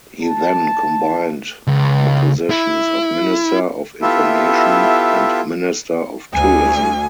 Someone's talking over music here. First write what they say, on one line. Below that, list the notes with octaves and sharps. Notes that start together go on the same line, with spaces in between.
He then combined the positions of Minister of Information and Minister of Tourism.
A5
C#2
E4
B3 E4 F4 G4 A4 E5
D2 G#5